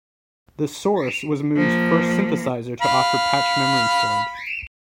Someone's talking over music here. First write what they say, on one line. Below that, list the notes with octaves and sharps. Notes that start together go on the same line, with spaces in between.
The Source was Moog's first synthesizer to offer patch memory storage.
F3 A#3
F5 B5